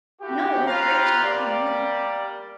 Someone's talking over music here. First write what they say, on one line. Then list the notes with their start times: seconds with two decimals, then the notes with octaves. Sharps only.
No, it was great talking yeah,
0.22 A3 E4 F#4 G4
0.67 F4 G4 B4 F5 A#5
1.24 G3 A#3 G4 D5